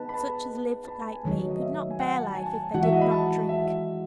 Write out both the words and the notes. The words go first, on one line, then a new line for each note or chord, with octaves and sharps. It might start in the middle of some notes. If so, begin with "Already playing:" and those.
Such as live like me could not bear life if they did not drink.
Already playing: B3 D#4 G#4 B4 A5
B5
A5
A5
B5
A5
G#5
D#3 F#3 A3 D#4 C#5
C#5
D#5
E5
G#5
F#5
A5
A5
G#5
A5
E3 G#3 D#4 F#4 F#5
E5
D#5
B5
A5
E5